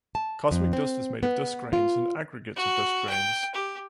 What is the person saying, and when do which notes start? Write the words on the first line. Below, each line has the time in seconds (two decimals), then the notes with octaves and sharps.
Cosmic dust is made of dust grains and aggregates of dust grains.
0.15 A5
0.51 F2
0.73 C4
1.23 B3
1.73 F4
2.56 F#4
3.09 G5
3.55 G4